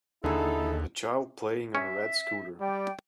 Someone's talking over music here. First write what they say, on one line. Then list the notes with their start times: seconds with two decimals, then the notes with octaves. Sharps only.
A child playing on a red scooter.
0.24 D#2 D3 D#4 E4 G#4 A4
1.75 C#4 E5
2.60 G3 D5 G5